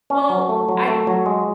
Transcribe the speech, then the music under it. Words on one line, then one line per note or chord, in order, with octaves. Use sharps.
Well, I
C#4
F#3
A3
F#3
A3
F#3
G#3